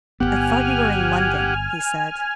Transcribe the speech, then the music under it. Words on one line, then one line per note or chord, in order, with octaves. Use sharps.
"I thought you were in London?" he said.
G1 E2 B3 G4 F#5 G#5 F6